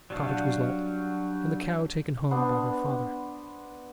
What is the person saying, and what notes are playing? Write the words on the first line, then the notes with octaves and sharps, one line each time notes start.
The cottage was let, and the cow taken home by their father.
F#3 G3 D4 F#4 F5
B3 D4 C5 D6